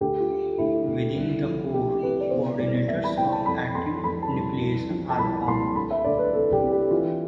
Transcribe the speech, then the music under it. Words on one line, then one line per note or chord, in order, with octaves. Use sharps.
Within the core, coordinators of actin nucleation are found.
D2 G4
F4
D3
D2 E4
D2
C2
F3
C3 G4
C3 B4
D5
B2 C5
C2 D5
C2 E5
B5
C2 G5
A5
F2 B5
F2 C6
F2 B5
A5
G3
C2
F3
A5
C2 B5
C2 C6
D2 B5
E5
D2 D5
B4
C3 A4
G4
C3
G4
E3 F4